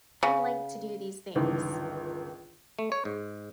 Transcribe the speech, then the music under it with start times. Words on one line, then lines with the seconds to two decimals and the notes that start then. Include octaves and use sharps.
I'd like to do these things.
0.23 C#3
1.35 G1 C#2 D#3 E3
2.79 A3
2.92 C#5
3.05 G#2